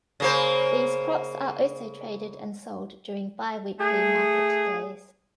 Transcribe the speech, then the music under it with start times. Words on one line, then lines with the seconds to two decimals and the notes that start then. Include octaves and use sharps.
These crops are also traded and sold during bi-weekly market days.
0.20 C#3 A#3 C5
3.78 A3 G#4